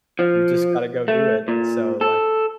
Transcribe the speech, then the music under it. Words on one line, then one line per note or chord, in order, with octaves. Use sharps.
you just gotta go do it, and so, like,
F3
A3
A#2
A4